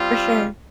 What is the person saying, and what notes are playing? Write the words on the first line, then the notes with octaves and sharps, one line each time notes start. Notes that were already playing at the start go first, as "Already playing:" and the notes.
for sure.
Already playing: G3 C4 F4